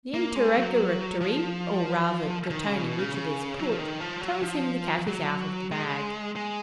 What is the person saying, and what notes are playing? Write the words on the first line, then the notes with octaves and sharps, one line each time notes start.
The interrogatory, or rather the tone in which it is put, tells him the cat is out of the bag.
A#3
G#3
F#3
F3
D#3
C#3
B2
C#3
C#3
F#3
F3
D#3
F3
F#3
F3
F#3
G#3
G#3